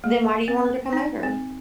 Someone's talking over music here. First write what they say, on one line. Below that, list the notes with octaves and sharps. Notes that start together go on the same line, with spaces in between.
Then why do you want her to come over?
A#3
C4
D#4
C4